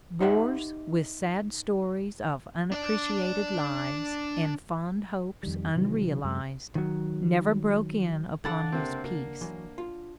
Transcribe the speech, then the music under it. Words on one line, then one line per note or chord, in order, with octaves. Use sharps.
Bores with sad stories of unappreciated lives and fond hopes unrealized, never broke in upon his peace.
D#4 G4 C5 E5 F#5
D4 D5
F2 D#3 G3
C3 D#3 E3 F#3
F#2 G#3
D#3 F#3
C#3 D4 A4 F5 F#5 B5 A6
C3 A#3 C4
A#3
E3 F#3
F4